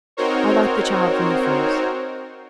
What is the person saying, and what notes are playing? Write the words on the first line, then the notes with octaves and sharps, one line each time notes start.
I liked the child from the first.
C4 D#4 F#4 A#4 C5 C#5